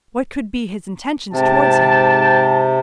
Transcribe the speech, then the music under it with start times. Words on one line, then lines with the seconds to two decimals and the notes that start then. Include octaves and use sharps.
What could be his intentions towards him?
1.33 G#2 C3 G5 A5